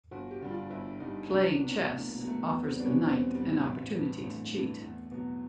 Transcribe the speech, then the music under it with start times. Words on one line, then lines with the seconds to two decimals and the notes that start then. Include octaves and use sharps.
Playing chess offers the knight an opportunity to cheat.
0.11 G1 F#4
0.31 G4
0.41 G2 D3 G3
0.50 F4
0.70 G1 E4
1.00 G2 D3 G3 D#4
1.29 C2 D4
1.49 D4
1.59 B2 F#3
1.68 C#4
1.88 C2 A3
2.08 A#3
2.18 B2 F#3
2.27 A3
2.47 E2 B3
2.67 C4
2.76 B2 G3 D4
2.86 C#4
3.06 E2 C4
3.35 B2 G3
3.65 A1
3.94 G2 E3
4.23 A1 A3
4.53 G2 E3
4.82 E2
5.11 B2 F#3